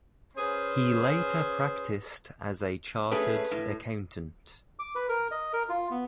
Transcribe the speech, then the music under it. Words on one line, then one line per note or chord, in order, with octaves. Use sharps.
He later practiced as a chartered accountant.
C#4 G#4 B4 C5
A3 C#4 G#4 B4
A2
D6
B4
A#4
D#5
A#4
F4
B3